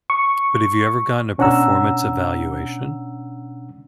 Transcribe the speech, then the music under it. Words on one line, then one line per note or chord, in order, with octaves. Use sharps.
But have you ever gotten a performance evaluation?
C#6
B2 C#4 D4 F#5 A#5 E6